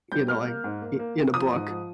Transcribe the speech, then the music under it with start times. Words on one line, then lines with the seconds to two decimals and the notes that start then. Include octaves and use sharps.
you know, like, in in a book.
0.12 G3 G6
0.28 A#3 F6
0.46 A#3
0.64 G#2
0.82 A#3
0.99 A#3
1.16 A#3
1.34 F3 D#6
1.53 G#2
1.70 F3